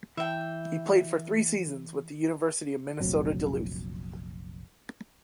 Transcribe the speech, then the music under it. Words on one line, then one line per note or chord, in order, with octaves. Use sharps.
He played for three seasons with the University of Minnesota-Duluth.
E3 E5 G5
F1 A#1 F#3 C4